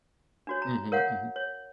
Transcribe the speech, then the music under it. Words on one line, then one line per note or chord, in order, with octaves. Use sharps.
Mhm, mhm.
D4 F#4 C#5
A#5
A#4 C#5 F5 F#5
C#5